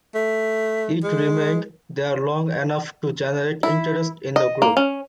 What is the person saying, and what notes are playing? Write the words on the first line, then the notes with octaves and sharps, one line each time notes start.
It remained there long enough to generate interest in the group.
A3
G#3
E4
D#5
A#3
C#4